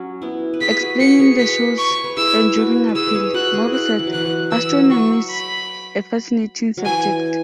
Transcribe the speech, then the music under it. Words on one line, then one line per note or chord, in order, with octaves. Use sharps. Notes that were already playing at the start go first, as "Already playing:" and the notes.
Explaining the show's enduring appeal, Moore said: Astronomy's a fascinating subject.
Already playing: F#3 C#4
B3 E4
B4
E4 G#4 B6
G#4
F#4 B4
F#4 B4 C#7
G#4 C#5
F#4 B4 B6
C#6
C#5
B4
E4 G#4 E6
F#4 B4
B4
G#4 C#5 E6
B4
G#4 C#5
F#4 B4 F#6
E4 G#4
F#6
E3
F#3
E3 F#6
F#3
E3 E6
F#3
F#3 C#6
B5
F#3
E3 G#5